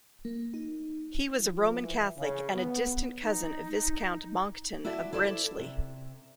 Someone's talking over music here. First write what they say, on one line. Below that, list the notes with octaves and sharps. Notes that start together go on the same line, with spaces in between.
He was a Roman Catholic, and a distant cousin of Viscount Monckton of Brenchley.
A#3
D#4
F3
E3
C#3
B3
D#4
E4 F#4 A4 D5 E5
E4 A4 C5 D5
C3